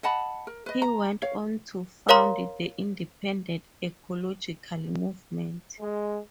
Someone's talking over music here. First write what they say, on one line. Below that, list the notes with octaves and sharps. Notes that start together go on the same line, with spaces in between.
He went on to found the Independent Ecological Movement.
D#5 F#5 A5 B5
A#4
B4 D#5
A#5
C#5 F5
A#4 C#5 F5 A#5 C6
G#3